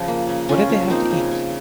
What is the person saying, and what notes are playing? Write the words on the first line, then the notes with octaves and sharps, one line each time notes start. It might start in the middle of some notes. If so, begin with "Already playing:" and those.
What did they have to eat?
Already playing: C#3 F3
A#3
C#3
C#3 C#4 F4
F3
A#3 C4 D#4
C#3
C#3